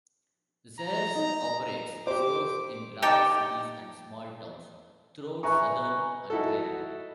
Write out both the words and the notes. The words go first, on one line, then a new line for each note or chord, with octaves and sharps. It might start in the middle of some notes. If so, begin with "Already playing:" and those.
Zehrs operates stores in large cities and small towns throughout southern Ontario.
A#5
D#4
G4 C5 D6
D#4 G4 G5 A5
B4 E5 G#5 A#5 C#6
D#4 E4 F#4 A4